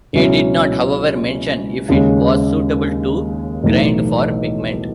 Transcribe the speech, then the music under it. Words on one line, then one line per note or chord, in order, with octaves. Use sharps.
He did not, however, mention if it was suitable to grind for a pigment.
C#2 B2 F#3 C#4 E4
D#2 C#3 G#3
B1 A2 E3 A3 D#4